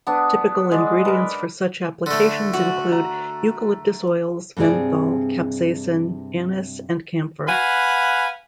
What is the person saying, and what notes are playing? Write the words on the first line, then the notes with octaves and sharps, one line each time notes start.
Typical ingredients for such applications include eucalyptus oils, menthol, capsaicin, anise and camphor.
B3 D4
G#3 D5
A#4 B4
D3 A3
F#4
A#5
G2 C3 C4 D#4 G#4 D5
B4 F5 F#5 G#5 B5